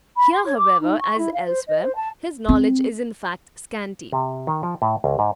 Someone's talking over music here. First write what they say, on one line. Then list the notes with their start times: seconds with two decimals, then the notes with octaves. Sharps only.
Here, however, as elsewhere, his knowledge is in fact scanty.
0.16 B5
0.32 C6
0.45 C#5
0.57 D6
0.80 D#4
0.99 C#6
1.17 E4
1.33 F5
1.47 C5
1.67 D#5
1.81 C5
1.95 A5
2.49 C4
4.12 C3
4.47 D#3
4.63 F3
4.82 A2
5.04 C#2
5.19 G#2